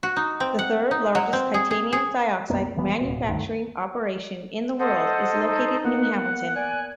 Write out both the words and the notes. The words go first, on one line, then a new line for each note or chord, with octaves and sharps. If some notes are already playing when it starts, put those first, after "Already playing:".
The third largest titanium dioxide manufacturing operation in the world is located in Hamilton.
F#4
D#4
C4
F#5
D#4
F#3
C4
G#4
G#4
G#4
B1 F#2 A#3 B3
D#1 E3 G#3 B3
D1 B2
D2 G2 D#3 A3
A4 C5 D#5 F#5
D#4
A#3 B3 F#5
D5 G#5 F#6